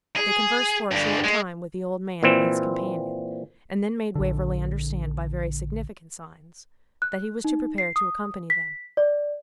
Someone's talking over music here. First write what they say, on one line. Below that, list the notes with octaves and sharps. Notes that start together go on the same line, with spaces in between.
They conversed for a short time with the old man and his companion, and then made Waverley understand, by very significant signs, that he was to prepare to accompany them.
G#4
G2 D3
G#3
A#2 E3 C4
A#1 D3
F#6
D#4
C7
D#6
B6
D5